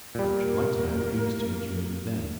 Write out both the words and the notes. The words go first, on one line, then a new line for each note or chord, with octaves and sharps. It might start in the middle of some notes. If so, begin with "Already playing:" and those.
And I should like to know who's to endure you then?
A#2 G3 A#3 A#4